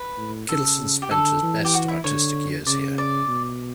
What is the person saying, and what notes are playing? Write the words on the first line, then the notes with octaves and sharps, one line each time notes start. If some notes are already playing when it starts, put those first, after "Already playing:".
Kittelsen spent his best artistic years here.
Already playing: B4
A2
C#3 A4
G4
D3 A4
E3
G4
F#4
E4
D3 C#5
C#3 D5
D5
B2